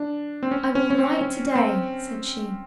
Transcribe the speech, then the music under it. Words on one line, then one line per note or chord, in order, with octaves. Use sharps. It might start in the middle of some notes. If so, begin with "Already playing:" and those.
'I will write to-day,' said she.
Already playing: D4
C4
C#4
C#4
C#4
C4
C#4
C4